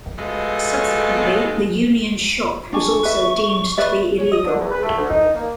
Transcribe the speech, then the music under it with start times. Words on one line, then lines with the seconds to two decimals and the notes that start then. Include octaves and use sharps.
Subsequently, the Union Shop was also deemed to be illegal.
0.18 B2 F3 G#3 A3 A4
2.73 D4 G#5 C#6
3.03 B4 E5
3.78 B4 D5 E5
4.18 C#5
4.31 D#6
4.45 D3
4.59 E2
4.71 B4
4.83 A3
4.97 D2
5.09 D#4
5.35 A#3